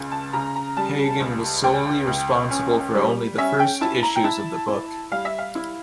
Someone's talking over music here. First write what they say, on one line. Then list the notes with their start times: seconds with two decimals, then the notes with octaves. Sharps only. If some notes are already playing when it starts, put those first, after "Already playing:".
Hegen was solely responsible for only the first issues of the book.
Already playing: C#2 C#3
0.11 A5
0.33 C#3 A#5
0.56 A#5
0.77 G3 A5
1.20 C#2
1.64 C#2 G5
2.07 C#2
2.50 C#4
2.95 G3
3.38 C#4 E5
3.59 G5
3.81 E4 A5
4.03 A#5
4.16 G5
4.24 E4 A5
4.68 E4
5.12 G3 F5
5.25 E5
5.38 F5
5.55 E4